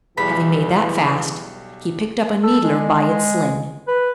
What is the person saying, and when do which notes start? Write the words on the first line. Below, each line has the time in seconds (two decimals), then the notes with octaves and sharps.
Having made that fast he picked up a needler by its sling.
0.17 B1 E2 E3 G3 B5
2.43 A4
2.63 G#3
3.87 B4